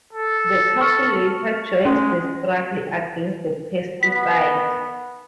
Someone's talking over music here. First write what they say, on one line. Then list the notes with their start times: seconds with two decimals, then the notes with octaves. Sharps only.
The couple later joins the struggle against the pesticide.
0.13 A4
0.81 C#6 F6 C#7
1.85 G#3 C#4
4.03 B3 B6